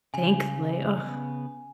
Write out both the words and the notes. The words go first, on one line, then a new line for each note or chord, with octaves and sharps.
Thankfully, ugh.
C#3 G#5
C#3 B3